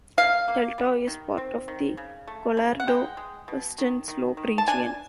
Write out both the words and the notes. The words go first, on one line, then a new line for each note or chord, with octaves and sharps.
Delta is part of the Colorado Western Slope region.
A#3 F5
A#3
G3
D#3
C4
D#3
C#3
A3
C#3
F#5
G#3 G5
G#3
B2
D#3
D#3
D#3
A5
D4 G#5